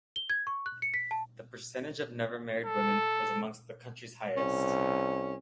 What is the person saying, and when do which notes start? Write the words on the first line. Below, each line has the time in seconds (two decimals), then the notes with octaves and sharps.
The percentage of never-married women was among the county's highest.
0.16 G7
0.30 G#6
0.47 C#6
0.66 F#6
0.82 C#7
0.94 B6
1.11 A5
2.66 A4
4.37 C2 C#4